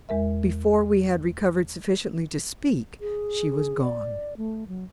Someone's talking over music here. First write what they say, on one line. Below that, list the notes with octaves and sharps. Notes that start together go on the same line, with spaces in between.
Before we had recovered sufficiently to speak, she was gone.
E2 G#3 A#4 E5
G#4
D5
A3
F#3